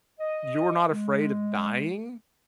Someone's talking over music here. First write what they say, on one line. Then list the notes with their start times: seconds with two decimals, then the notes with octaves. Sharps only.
you're not afraid of dying,
0.19 D#5
0.89 G#3